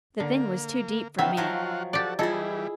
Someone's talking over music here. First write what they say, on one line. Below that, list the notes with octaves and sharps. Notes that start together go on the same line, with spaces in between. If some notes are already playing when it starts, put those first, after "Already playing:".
The thing was too deep for me.
D3 A#3
C#3 F3 B3 D#4 E5 F#5 G5
F3 F#3 F4 F#4
F#4 G4 A4 D5
E3 G3 E4 F4 G#4 A4 D#5